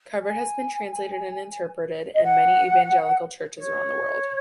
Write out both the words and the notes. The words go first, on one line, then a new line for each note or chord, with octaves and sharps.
Covered has been translated and interpreted in many evangelical churches around the world.
G#5
D#5
F#5
C#5